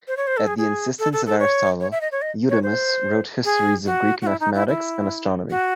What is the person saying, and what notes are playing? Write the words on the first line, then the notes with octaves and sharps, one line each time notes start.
At the insistence of Aristotle, Eudemus wrote histories of Greek mathematics and astronomy.
C5
C#5
C5
A4
G#4
G#4
A4
A4
A4
C#5
C#5
E5
D#5
C#5
D#5
C#5
C5
G#4
F#4
F#4
E4
D#4
E4
E4
F#4